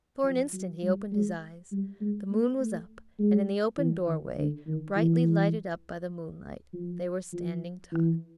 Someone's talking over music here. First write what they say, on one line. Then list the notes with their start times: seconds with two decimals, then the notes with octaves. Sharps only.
For an instant he opened his eyes: the moon was up, and in the open doorway, brightly lighted up by the moonlight, they were standing talking.
0.24 F3
0.53 F#3
0.83 G3
1.12 G#3
1.72 G3
2.01 G#3
2.31 A3
2.60 A3
3.19 G#3
3.78 E3
4.07 D#3
4.38 D3
4.67 D#3
4.96 E3
6.74 F3
7.33 F3
7.92 E3